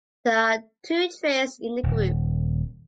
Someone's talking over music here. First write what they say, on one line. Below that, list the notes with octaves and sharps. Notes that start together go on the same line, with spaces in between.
There are two trains in the group.
D#1